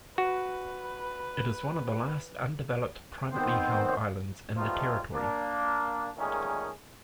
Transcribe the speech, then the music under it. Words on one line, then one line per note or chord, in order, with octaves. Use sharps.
It is one of the last undeveloped privately held islands in the Territory.
F#4 B4
D#3 B3 C4 C5
B2 F3 G3 A3 D#4 F4
A#3 D4
A#2 D#3 G#3 A3 C#4 G#4